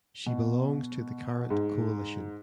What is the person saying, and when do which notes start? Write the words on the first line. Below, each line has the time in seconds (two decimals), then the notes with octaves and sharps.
She belongs to the Karat Coalition.
0.26 B2
1.50 G#2